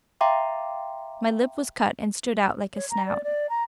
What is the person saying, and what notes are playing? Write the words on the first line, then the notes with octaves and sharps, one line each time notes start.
My lip was cut and stood out like a snout.
E5 F5 G5 A#5 C6 D6
C#5
A#5
D5
D5
A#5